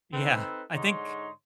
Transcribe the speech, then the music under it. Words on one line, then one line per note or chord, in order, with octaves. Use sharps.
Yeah, I think,
C4 D#4 A4 B4
G#2 D3 D#4 C#5 C6